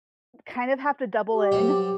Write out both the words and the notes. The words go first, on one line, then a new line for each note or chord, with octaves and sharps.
kind of have to double in
G4
F#2 G3 C5